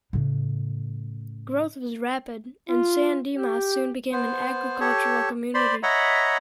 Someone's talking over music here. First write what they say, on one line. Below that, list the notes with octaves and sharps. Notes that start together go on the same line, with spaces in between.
Growth was rapid, and San Dimas soon became an agricultural community.
A2 C#3
F4
G4
B3 C5
G4 A4 C#5
C5 D5 B5 C6
C#5 D#5 E5 F#5 A#5 B5